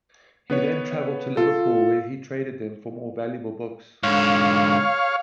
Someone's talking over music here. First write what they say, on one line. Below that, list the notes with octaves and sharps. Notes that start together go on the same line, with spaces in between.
He then traveled to Liverpool where he traded them for more valuable books.
B3 B4 C#5
F4 A4
G#2 D3 C#5 F5